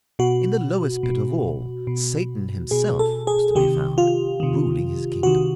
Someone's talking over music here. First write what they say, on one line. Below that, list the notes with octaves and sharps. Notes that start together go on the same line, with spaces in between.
In the lowest pit of all Satan himself was to be found, ruling his kingdom.
B2 F#4
B2
B2
B2 G#4
A4
G#4
C3 D#3 G4
F4
C3 D#3
C3 D#3 F#4